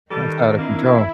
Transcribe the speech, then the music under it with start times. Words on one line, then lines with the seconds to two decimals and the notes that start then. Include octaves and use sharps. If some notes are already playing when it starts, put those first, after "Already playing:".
That's out of control.
0.10 D#3 G3 A4
0.58 A#3 C4 D4 E4 A#4